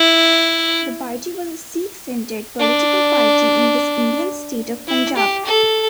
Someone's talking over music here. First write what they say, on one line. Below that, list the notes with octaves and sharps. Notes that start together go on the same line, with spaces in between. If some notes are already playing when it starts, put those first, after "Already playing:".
The party was a Sikh-centered political party in the Indian state of Punjab.
Already playing: E4
D4
E4
G4
A4